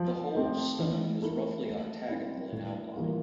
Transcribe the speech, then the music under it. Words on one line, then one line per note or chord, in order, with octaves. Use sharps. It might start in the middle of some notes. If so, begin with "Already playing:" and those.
The holed stone is roughly octagonal in outline.
Already playing: F3
A3 C4 G4
E3
A3 E4 A#4
A3
C4 E4
A2
E3 G3 A#3 F4